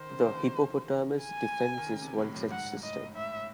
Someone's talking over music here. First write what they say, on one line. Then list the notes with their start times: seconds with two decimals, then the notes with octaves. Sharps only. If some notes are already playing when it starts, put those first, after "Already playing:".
The Hippopotamus Defence is one such system.
Already playing: D#3 C5
0.09 C#3
0.19 E3
0.26 D#3
0.42 D#3
1.22 G#5
1.78 D#3
1.87 C#3
2.02 C3
2.18 A2
2.35 F#2
2.51 G#2 F#5
2.77 G#2
2.82 A2 D#5
3.15 A2 E5